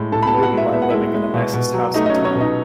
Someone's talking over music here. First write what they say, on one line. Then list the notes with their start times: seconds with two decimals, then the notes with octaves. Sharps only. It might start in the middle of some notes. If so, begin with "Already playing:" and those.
You wouldn't mind living in the nicest house in town.
Already playing: A2 G#3
0.12 A2 A4 A5
0.23 B5
0.27 A4 A5
0.33 B3
0.42 F#4 F#5
0.53 G#3 E4 E5
0.73 B3 E5
0.82 F#5
0.90 G#3 E4 E5
1.14 G#3
1.34 B2
1.54 B2
1.74 F#3
1.94 A3 D#4 D#5
2.06 D#5
2.09 C#4 C#5
2.16 F#3
2.25 C#4 C#5
2.36 B2
2.41 D#4 D#5